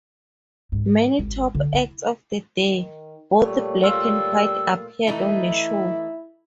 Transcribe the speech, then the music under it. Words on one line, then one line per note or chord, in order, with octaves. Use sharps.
Many top acts of the day, both black and white, appeared on the show.
G#2
G#1
D3
E4
D#3
A#2 G3 A3 C#5
G3 F4 E6
E3 A3 D#4 E4